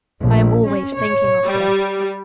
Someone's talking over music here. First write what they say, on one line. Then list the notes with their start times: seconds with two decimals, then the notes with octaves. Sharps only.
I am always thinking of her.
0.21 A#1
0.66 C#4
0.97 C#5
1.45 G3